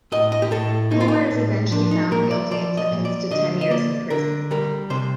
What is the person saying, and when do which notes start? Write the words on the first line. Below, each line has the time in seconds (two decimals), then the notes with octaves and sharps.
Homer is eventually found guilty and sentenced to ten years in prison.
0.12 A2 D#5
0.32 D#5
0.42 G4
0.51 A2 A4
0.91 A#3 D#4
1.01 F4
1.08 D#4
1.31 A2
1.72 F3 D4
1.91 D#4
2.11 A#2 A#4
2.31 D5
2.51 F3 D5
2.77 D#5
2.92 A#2
3.05 D5
3.31 D3 D#5
3.61 D#5
3.70 A#3 D5
4.10 D3 A#4
4.51 G3 A#4
4.90 C3 C5